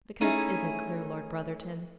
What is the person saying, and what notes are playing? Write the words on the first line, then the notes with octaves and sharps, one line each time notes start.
"The coast isn't clear, Lord Brotherton."
A3 C#4 D#4 E4 G#4